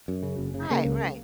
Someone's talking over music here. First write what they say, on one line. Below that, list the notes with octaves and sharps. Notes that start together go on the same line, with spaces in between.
Right, right.
F#2
C#3
F#1
C#3
C#3 A#3
C#2